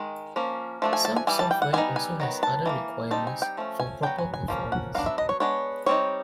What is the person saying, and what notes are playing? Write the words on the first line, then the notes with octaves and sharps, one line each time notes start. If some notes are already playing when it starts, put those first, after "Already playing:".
Some software also has other requirements for proper performance.
Already playing: D#3 G#3
F3 A#3 C#4
F3 A3 D4
G#5
A5
G#5
E3 G3 G#5
A5
G5
F#5
G3 B3 D#4 G#5
G#5
D#3 F#3 B3
A5
E3 G3 A#3
G3 C4 D#4 A5
G#5
G5
F3 A3 C#4
G#5
F#3 B3 D4 G5
G#5
G#5
F3 A#3 C#4
F#5
F#3 B3 D4 F5
E5
D#5
C#5
G#3 B3 D4 C#5
G3 C4 D#4 C#5